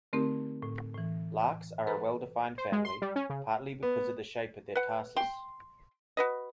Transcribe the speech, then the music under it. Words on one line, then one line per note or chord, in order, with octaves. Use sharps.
Larks are a well-defined family, partly because of the shape of their tarsus.
D3 A3 C4 D#4 G4 A#4
A2
A2 E3
A4 B4 A#5 B5
C5
G#3
C6
G3
C#4
C#3
B3
B4 F#5
G5 C6
F#4 B4 D#5